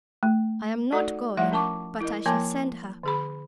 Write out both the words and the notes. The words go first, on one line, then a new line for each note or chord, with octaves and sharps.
"I am not going, but I shall send her."
A3
A3 D#4 F#4 A4 D5 F#5
F3 A3 E4 E5 F#5
C#4 A#4 A5 C#6 D6
E4 A#4 D#5
F3 A#3 A#4 G#5 A5 D6
D3 G#4 B5